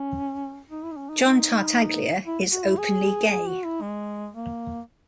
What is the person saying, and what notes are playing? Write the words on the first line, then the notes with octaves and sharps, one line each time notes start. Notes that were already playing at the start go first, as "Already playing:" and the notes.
John Tartaglia is openly gay.
Already playing: C#4
D#4
E4
D#4
C#4
D#4
C#4
D#4
E4
F#4
E4
G#4
G#4
F#4
E4
G#3
A#3